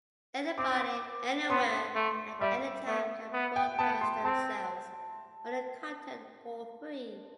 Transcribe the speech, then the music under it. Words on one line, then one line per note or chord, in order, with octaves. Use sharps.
Anybody, anywhere, at any time can broadcast themselves or their content for free.
C4 D6
B3 C6
A3
G3 E5
A3
B3
G5
B3 A5
C6
C4 A5